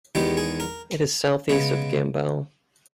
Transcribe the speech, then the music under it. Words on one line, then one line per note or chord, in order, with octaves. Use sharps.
It is southeast of Gambell.
E2 D#3 G#3 B3 G4
G#4
A#4
C#3 G#3 B3